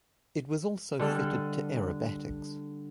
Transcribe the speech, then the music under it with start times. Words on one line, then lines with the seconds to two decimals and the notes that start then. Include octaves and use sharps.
It was also fitted to aerobatics.
0.99 D3 G3 A4